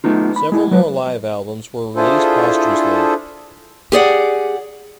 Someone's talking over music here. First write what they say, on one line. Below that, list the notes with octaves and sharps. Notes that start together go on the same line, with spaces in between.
Several more live albums were released posthumously.
A3 B3 D#4 F4
B5
G#3 E4
F#3 G#3 B4
D4 E4 F4 G#4 A4 C5
G4 G#4 D5 F#5